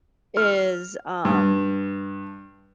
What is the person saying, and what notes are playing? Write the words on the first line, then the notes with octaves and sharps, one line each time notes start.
is, um
F6
G2